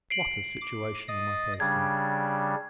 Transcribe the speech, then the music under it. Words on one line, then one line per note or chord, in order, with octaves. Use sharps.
What a situation am I placed in!
C7 D7 F#7
D6
D#5 D#6 A6
C#3 G3 D4 G#6